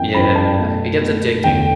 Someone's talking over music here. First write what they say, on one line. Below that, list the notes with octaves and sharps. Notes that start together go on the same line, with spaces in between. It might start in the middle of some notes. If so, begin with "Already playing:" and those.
Yeah, it gets addicting.
Already playing: F#2 E3 B3 G5
F#2 E3 B3 B5
A5
B2 A3
B2 A3
E2 D3 A3 G5